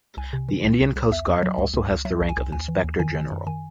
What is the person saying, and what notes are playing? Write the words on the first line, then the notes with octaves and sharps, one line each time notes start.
The Indian Coast Guard also has the rank of inspector general.
C2 G#5
C3
D#3
C2
C2
C2
E2 E5
E2
F#3
C#2
C#2
C#2
F#3 E5
C2
G#5
C2
D#2 G#5
E3
D#2
D#3 G#5
D#3
F#2
D#3 G#5